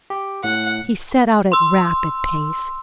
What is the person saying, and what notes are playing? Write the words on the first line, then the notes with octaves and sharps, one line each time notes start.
He set out at rapid pace.
G4
A2 F#5
C6 E6